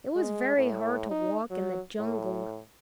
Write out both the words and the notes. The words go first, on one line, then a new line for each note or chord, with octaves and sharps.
It was very hard to walk in the jungle.
G#3
A2
D#4
F#3
A2